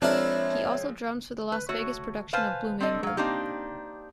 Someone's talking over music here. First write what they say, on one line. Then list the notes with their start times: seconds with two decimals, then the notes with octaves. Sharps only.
He also drums for the Las Vegas production of Blue Man Group.
0.02 F3 G#3 C4 D4 E4 A#4 C#5
1.52 B4
1.69 A3 F#4 C#5
2.33 B4 C5 F5 G#5 A5
2.80 C4 D4 A4 D#5
3.03 F#3 F5
3.17 A#3 C4 D4 D#4 G4